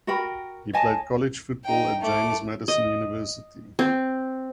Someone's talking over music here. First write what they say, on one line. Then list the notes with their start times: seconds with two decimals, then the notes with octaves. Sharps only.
He played college football at James Madison University.
0.07 F#4 A#4 G5 B5
0.73 C#5 D#5 G#5 A5
1.65 D#4 G5
2.01 A3 D6
2.68 D#5
3.79 C4